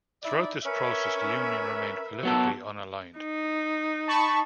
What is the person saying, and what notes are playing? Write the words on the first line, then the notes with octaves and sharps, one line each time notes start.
Throughout this process the Union remained politically unaligned.
D#4 E4 D5
C#4 A#4 B4 E5
F#3 B3 A4
D#4
A5 B5 C#6